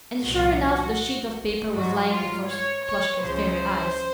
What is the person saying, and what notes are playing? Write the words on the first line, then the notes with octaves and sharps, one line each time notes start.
And, sure enough, the sheet of paper was lying before Plushkin's very eyes.
C2 A#2 F3 F#4
G#2 F#3 F#4
F4
C#5
C#5
C#2 C#3 F3 C5